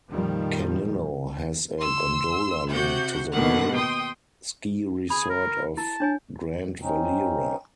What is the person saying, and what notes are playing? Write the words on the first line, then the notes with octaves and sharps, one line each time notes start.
Canillo has a gondola link to the main ski resort of Grandvalira.
F2 A#2 D#3 F3 G3
C6 E6
C3 F#4 F#5 G6
D#2 B2 D3 D#3 F#5
G5 C6 D#6
G#4 B5
A#4
E4 A5
D4 C#5 G#5
C4 C#4 D#4